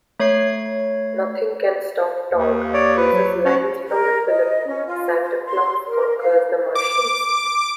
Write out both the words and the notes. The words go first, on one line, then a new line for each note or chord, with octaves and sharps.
"Nothing Can Stop Torg" uses lines from the film "Santa Claus Conquers the Martians".
A3 C#5 G#6 C7
D#2
C#5 D5
B4
F#3
C#4 F#4 C#5
A#4
D#5
C#4
F4
C5
C6
A#4
F5
D6